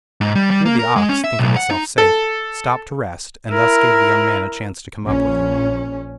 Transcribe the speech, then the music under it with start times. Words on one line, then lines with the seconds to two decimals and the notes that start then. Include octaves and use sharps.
Here the ox, thinking itself safe, stopped to rest, and thus gave the young man a chance to come up with it.
0.21 G#2
0.35 G3
0.51 G3
0.65 A#3
0.79 A#4
0.96 G#3
1.09 C#4
1.24 E5
1.39 B1
1.56 F#5
1.71 D#4
1.98 A4
3.51 E4 A#4
5.04 A#1 C#4